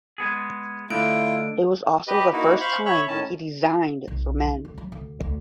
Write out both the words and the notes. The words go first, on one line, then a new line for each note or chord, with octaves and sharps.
It was also the first time he designed for men.
G#3 B3 G#4
D3 A3 E4 F4 D7
G4 B4 D#5
A#3 D#4 E4 F#4
C5 F5 B5 C#6
C#5 E5 B5 C#6
A2 D#3 C#4 A5
B1
D#4
D2
F#3
D2
D2